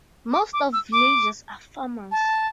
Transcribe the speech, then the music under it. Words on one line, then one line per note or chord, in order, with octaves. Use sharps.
Most of villagers are farmers.
D6
D6
E6
D6
A5